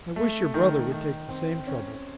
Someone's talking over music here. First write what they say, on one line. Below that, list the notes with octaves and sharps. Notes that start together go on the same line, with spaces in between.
I wish your brother would take the same trouble.
A3
D#3
D#3
C4
C#4